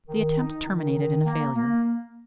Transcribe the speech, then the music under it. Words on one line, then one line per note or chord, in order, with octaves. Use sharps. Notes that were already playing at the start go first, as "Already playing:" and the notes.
The attempt terminated in a failure.
D#3
D#4
D#3
D#3
A#3
A#3